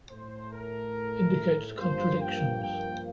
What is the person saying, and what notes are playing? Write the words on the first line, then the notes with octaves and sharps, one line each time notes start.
Indicates contradictions.
A2 A3 C5
A#4
G2 F3 A#3 C5
G5
G5